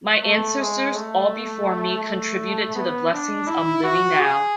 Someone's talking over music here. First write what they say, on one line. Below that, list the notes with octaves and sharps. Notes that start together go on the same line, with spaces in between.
My ancestors all before me contributed to the blessings I'm living now.
A3
G#3
A3
A3
B3
D4
E4
F#4
G#4